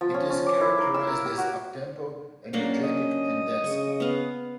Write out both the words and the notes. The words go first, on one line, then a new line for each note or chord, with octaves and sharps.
It is characterized as uptempo, energetic, and danceable.
F3
C#4
C#4
D6
E4
A#4
E6
A#4
G4
F#4
F#3 A#3 C#4 D4
D#5
C#3 C#6
B3 F5